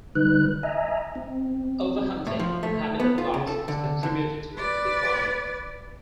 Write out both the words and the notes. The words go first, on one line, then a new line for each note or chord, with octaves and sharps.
Overhunting and habitat loss has contributed to its decline.
D3 G3 D#4 B4 F#6
D#5 E5 G#5 A#5
C4
A2
F3
A3
B3
F4
C#3
A4
D3
D3
B4 D5